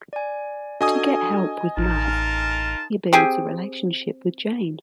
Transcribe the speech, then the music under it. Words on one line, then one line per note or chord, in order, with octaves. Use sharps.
To get help with math, he builds a relationship with Jane.
D5 G#5
D4 F#4 A4 D#5 G#5 D#6
A1 D#4 F4 A#4 A5
C4 G4 G#4